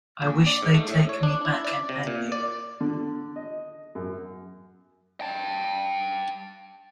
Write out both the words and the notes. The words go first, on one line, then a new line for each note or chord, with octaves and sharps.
I wish they'd take me back and hang me.
A#1
D5
G#2
A3
A2
C#5
D4
E4
D5
C3
A#2
D5
D3
D#5
F#2
G5 A5